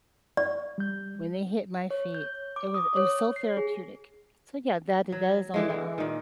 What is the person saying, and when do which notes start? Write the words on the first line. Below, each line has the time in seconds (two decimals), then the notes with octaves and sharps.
when they hit my feet, it was it was so therapeutic, so yeah, that that is on the, um
0.37 D5
0.78 G3 G6
1.91 C#5
2.14 G6
2.56 D6
2.74 D#6
2.97 C#5
3.36 C7
3.57 G#4
5.12 F#3
5.54 D3 E3 G#3
5.70 E3
5.98 A#2 D#3